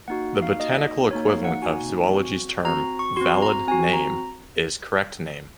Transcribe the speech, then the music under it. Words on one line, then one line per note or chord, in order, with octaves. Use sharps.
The botanical equivalent of zoology's term "valid name" is correct name.
A#3 D#4 F#4 F#5
F5
A#3 D#4 F#4 D#5
A#3 D#4 F#4 C#5
F5
F#5
A#3 D#4 F#4 G#5
C4 F#4
C4 F#4 A#5
C#6
C4 F#4 C6
A#5
C4 F#4 G#5
A#5